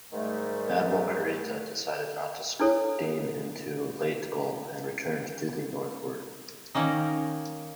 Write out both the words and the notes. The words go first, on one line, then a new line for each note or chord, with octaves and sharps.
Admiral Kurita decided not to steam into Leyte Gulf and returned to the northward.
G#2 D#3 G3 A3
D4 E4 A4 C#5
D#3 A#3 C#4 D#4